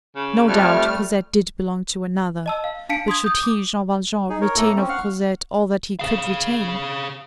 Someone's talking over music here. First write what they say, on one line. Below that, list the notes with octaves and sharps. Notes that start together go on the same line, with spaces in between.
No doubt, Cosette did belong to another; but should he, Jean Valjean, retain of Cosette all that he could retain?
C#3
F2 G3 A3 F6
D#5 A5 E6
F5
D4 F5 A5 B6 C#7 D7
C6 D#6 G#6
D#6 G6
D6
D#4 G#4
A#4 C#5
A2 A3 A#3 A4 A#5
C4 C#4
F5 F#5 C#6 F6
G#4 F5